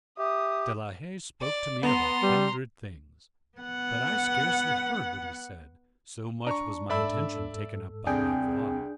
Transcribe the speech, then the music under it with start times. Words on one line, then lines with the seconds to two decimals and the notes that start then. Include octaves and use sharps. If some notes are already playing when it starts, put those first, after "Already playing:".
De la Haye spoke to me of a hundred things, but I scarcely heard what he said, so much was my attention taken up by Bavois.
0.18 G4 E5 D#6
1.41 D5
1.83 B3 A#5 C6
2.23 G3
3.58 B3 F#5
6.47 D4 A#5 C#6
6.90 G#2 A4 D5 E5 B5 E6
8.07 C2 C4 D4 G#4 G5